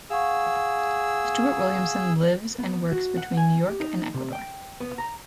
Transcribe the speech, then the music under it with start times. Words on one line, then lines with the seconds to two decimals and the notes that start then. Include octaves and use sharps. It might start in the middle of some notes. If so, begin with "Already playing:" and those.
Stuart Williamson lives and works between New York and Ecuador.
0.10 G#4 F5 F#5 C#6 E6
2.58 B3
2.92 F#4
3.17 F#5
3.37 G#5
3.68 G4
3.80 D#4
4.14 C3
4.33 G5
4.80 B3
4.98 A#5